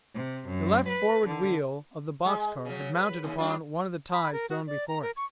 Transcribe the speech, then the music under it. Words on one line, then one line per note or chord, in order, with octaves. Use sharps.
The left forward wheel of the box-car had mounted upon one of the ties thrown before it.
C3
F#2
B4
D3
G#3
C#3 F#3
B4
D#2 C#3
G3 D4 F4
B5
A#4
F#4
D5
A#5
A#4
C#6